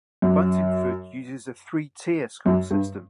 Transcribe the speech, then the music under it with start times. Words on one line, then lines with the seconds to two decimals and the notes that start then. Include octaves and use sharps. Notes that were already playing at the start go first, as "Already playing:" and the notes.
Buntingford uses a three-tier school system.
0.22 F#2
2.46 F#2
2.71 G2